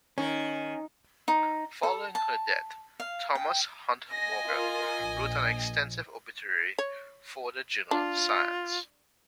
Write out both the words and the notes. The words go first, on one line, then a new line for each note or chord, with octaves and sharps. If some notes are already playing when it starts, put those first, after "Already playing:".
Following her death, Thomas Hunt Morgan wrote an extensive obituary for the journal "Science".
D#3 C#4
D#4
A4
A5
F5
G5
D#5 G#5 A#6
F4 A#4
A#1
C#5
D4 F4